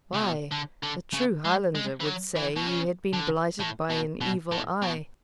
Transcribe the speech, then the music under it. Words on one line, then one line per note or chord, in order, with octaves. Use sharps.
Why, a true Highlander would say you had been blighted by an evil eye.
C#3
B2
D3
D3
C#3
G#3
G#3
E3
F#3
E3
B2
C#3
D3
A2
B2
B2
A2
B2